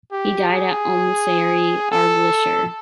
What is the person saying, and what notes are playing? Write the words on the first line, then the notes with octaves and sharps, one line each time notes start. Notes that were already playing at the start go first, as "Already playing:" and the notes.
He died at Ormsary, Argyllshire.
G4
G#4
A4